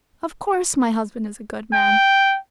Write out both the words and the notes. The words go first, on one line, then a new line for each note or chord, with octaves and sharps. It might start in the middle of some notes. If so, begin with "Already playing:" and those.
Of course, my husband is a good man.
G5